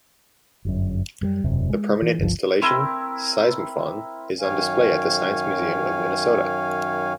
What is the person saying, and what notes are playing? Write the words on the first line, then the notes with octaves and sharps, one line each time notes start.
The permanent installation Seismofon is on display at the Science Museum of Minnesota.
G1 F#2
F#2 F#3 G3
E1 F#2 C3
G#3
E3
G1 C#2 G2 F3
C4 E4 A#4
F#2 D#3 C#5 F5 G#5